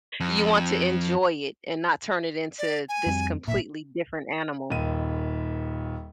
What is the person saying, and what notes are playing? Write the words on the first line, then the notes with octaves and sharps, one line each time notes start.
You want to enjoy it and not turn it into this completely different animal.
F2
D5
G#5
F2 G3 C4
G#1 A#2 E5
D#1 D#2 D#7